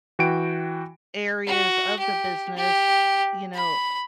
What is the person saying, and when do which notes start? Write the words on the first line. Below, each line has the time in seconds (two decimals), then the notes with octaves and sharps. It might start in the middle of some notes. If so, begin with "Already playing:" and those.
areas of the business, you know,
0.19 E3 F#4 G5 D7
1.47 F#4
1.99 G4
2.57 G4
3.54 B5